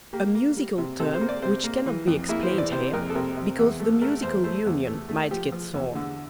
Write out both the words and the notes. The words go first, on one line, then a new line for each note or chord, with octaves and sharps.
A musical term which cannot be explained here, because the Musical Union might get sore.
A#3 G4
A#3
G3
C3
C3 A4
C5
A#3
D5
C3 C5
A#3
E3
F2
A#3 E4
C5
E3
D5
C3 C5
F2 A#4
A4
C3 A#4
C3
E2
A3
A3 A#4
E2 C5
A3 C5
E2
A3
A3
F3 G4
F3
E2
D3